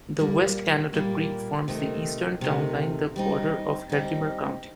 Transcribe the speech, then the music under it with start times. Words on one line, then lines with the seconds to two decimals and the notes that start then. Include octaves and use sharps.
The West Canada Creek forms the eastern town line, the border of Herkimer County.
0.19 A#2 G3 A#3
0.93 A#2 G3 A#3
1.68 C3 D#3 A3
2.41 C3 D#3 A3
3.16 G3 C4 D#4
3.89 G3 C4 D#4